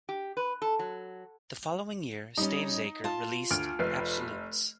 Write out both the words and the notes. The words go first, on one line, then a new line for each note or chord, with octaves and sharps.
The following year, Stavesacre released "Absolutes".
G4
B4
A4
F#3
G3 C#4 D#4
F4 A5
D2 F6 D7
F1 B4 C7